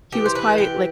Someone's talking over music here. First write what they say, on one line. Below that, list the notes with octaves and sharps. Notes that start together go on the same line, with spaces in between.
he was pi like,
E3 G4
C5
B4
G4